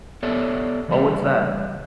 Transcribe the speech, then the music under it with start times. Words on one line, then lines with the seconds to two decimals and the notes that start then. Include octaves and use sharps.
Oh, what's that?
0.23 B3 G4 A4 C#5 D5 E5
0.88 C#3 E3 G3 E5